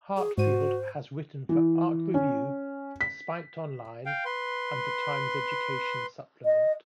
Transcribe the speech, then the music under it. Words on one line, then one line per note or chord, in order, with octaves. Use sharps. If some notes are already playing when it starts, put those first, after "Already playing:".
Heartfield has written for "Art Review", Spiked Online, and "The Times Education Supplement".
G#4
G#2 F#4 C5 D#7
E3
C#4
B6
F5 G5
B4 C6
D#5